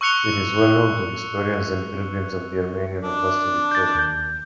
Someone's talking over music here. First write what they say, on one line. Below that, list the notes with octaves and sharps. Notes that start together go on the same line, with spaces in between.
It is well known to historians and pilgrims of the Armenian Apostolic Church.
C#6 E6 F#6 C#7 F7 G7
D4
G6 A6
D#2 G6